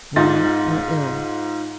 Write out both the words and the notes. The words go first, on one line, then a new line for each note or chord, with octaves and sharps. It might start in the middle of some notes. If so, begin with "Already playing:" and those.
Well or ill....
G#2 D#4 F4 A6